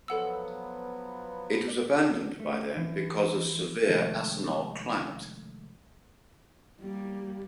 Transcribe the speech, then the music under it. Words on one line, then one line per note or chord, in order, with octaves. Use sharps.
It was abandoned by them because of severe Asansol climate.
F3 F#3 B3 A4 F#5 E6
D5
A3
E3
C3 D#3 F3 G#3 A3
G3 A#3